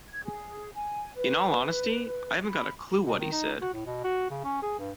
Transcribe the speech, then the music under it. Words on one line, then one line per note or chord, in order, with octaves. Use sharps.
In all honesty, I haven't got a clue what he said.
G#6
G#4
G#5
B4
B5
B2
D#3
D#4
F#4
A2
B2
F#4
C#3
C#4
G#4
G2